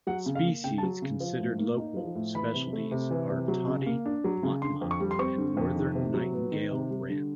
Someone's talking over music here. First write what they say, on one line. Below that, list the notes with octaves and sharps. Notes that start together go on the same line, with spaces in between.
Species considered local specialties are tody motmot and northern nightingale-wren.
F#3 F#5
C#3
F5
A#3
C#3 G5
A5
F#3
C#3
F3
A2
A#3
D#4
F3
A2
E3 B5
C3
A3
C3
E3
C3
F#3
C#3
A#3
D4
F#3
C#3
D3 C6
F2
C#6
G3
C6
C4 C#6
D3
F2
D#3
C3
F#3
B3
D#3
C3
G3
D3